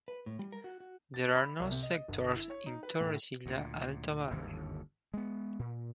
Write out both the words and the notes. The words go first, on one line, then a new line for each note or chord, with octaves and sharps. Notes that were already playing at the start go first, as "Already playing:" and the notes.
There are no sectors in Torrecilla Alta barrio.
B4
A2
G3
A#4
F#4
F#4
A6
B5
C2
C3
D#5
G1
E4
C#5
D#4
B4
A2
D2 A#2
G1 D#2 G#2 D3
G#3 B3
A#2